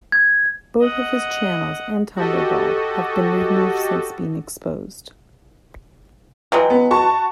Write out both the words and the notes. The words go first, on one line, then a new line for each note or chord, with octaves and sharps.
Both his channels and Tumblr blog have been removed since being exposed.
G#6
D#5 F#5
F#4 G4 A4 D#5
E3 F#3 G#3 G5
B3
F#4 A5 C#6